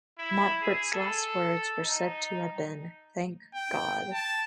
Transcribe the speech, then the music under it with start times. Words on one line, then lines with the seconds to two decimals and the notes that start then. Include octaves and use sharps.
Montfort's last words were said to have been "Thank God".
0.18 E4
0.62 G#4
0.93 A4
1.81 D#4
3.55 G5
4.13 A5